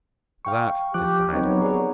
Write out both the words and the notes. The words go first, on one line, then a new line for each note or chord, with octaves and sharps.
That decided me.
F5 G5 C#6
F3 G4 D6 F#6
F#3 B3 C4 D#4 A#4 C#5
G#4 D5